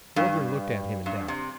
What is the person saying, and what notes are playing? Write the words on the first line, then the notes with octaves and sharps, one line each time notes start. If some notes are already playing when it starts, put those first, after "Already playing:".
Waldron looked at him in doubt.
G2
G2
C3